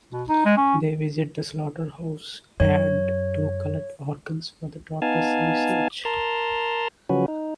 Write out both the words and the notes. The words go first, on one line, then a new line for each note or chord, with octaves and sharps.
They visit the slaughterhouse yard to collect organs for the doctor's research.
B2
D#4
G#3
C#4
F#2 C#5
B3 D#4 F5 G#5 A5
A#4 A5 A#5 C6
C#3 F3 F#3 C#4 F#4 B4
D#4